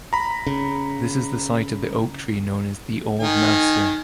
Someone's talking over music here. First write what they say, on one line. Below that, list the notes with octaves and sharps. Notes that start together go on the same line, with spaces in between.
This is the site of the oak tree known as The Old Master.
A#5 B5
C#3
D#3 G#5